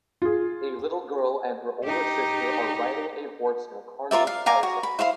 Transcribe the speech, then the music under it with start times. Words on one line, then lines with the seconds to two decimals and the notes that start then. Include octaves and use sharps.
A little girl and her older sister are riding a horse in a carnival carousel.
0.22 F4 G#4
1.84 D#4 G4
4.11 F4 A#4 D5 E5
4.27 F5
4.46 F5 G#5 A#5 D6
4.63 F#4
4.83 B5
4.99 E4 C5 F5 C6